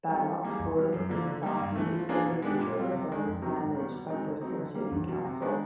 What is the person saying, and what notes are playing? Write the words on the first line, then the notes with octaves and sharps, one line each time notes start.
Badock's Wood in Southmead is a nature reserve managed by Bristol City Council.
G3 C4 F4 A4
E3
G3 A#3 D#4 G#4
E2
B2 G3
F#2
D3 F3 A#3
D3
G3 A#3
G2
E3 A3
F3
A#3 D4 F4 G#4
B2
G#3 B3 D4 G4
A#2
G3 C4 F4
C3
D#3 G#3
F2
C3 D#3 F#3 B3
G#2
D#3 G3 B3
B2
G#3 C4 D#4 F#4
D3
F#3 A3 C4 D#4
D3
G3 A#3
E2
B2 F#3
C3
D#3 G#3 B3 D4